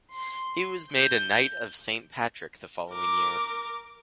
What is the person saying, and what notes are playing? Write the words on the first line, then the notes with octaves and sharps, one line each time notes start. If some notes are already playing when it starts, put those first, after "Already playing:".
He was made a Knight of Saint Patrick the following year.
C6
G6
A#4 D6